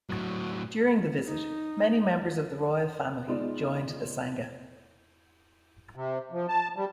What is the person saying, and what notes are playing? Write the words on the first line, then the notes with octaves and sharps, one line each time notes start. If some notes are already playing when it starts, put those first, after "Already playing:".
During the visit, many members of the royal family joined the sangha.
A2 F#3
D#4
G#3 B3 D#4 F4 D5 D#5
C3
F3
A5
G3